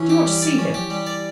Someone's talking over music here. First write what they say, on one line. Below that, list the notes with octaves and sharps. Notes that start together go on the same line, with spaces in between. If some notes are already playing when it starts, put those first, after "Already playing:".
Do you want to see him?
Already playing: E3 C#4 E4
G4
G3
D5
C#4
G4
G3
D5